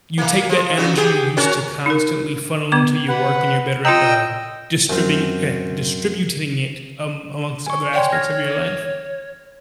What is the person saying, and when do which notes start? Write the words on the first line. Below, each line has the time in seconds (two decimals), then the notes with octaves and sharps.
you take that energy you used to constantly funnel into your work and you're better at, ah, distribing eh, distributing it, am amongst other aspects of your life?
0.18 E3 A#3
0.49 F3
0.77 C#3 B3 F#4
0.97 B3 G4 G#4
1.37 C#4 F#4 A#4
1.86 D#4 A#4
2.72 D3 B3 D6
3.08 B4 F#5
3.85 F4 D#5 G5 A#5 E6
4.90 F#2 C4
7.67 G#5 C#6
7.94 C#5 D5 G5 C6
8.12 F6 G#6 A#6